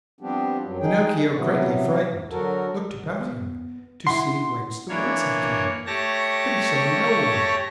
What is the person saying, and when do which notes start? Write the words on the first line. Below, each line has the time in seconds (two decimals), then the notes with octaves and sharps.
Pinocchio, greatly frightened, looked about him to see whence the words had come, but he saw no one.
0.21 F3 G3 B3 C4 D4 G4
0.64 F#2 F#3
0.80 D#4 G#4 G5
1.32 C3 E3 F#3 B3
2.30 D3 F#3 F#4 A4 A#4
3.20 B3
4.07 E4 F#5 C6 C7
4.89 E3 A#3 D4 C#5
5.87 A3 G4 C#5 A5 A#6